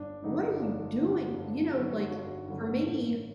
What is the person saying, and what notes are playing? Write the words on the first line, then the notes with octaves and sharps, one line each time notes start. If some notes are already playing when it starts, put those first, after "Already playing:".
"What are you doing?" You know, like, for me,
Already playing: G1 D4
G2 D3 F#3 D#4
G1 D4
G2 D3 F#3
G1
G2 D3 F#3
G1 F#4
G2 D3 F#3
A1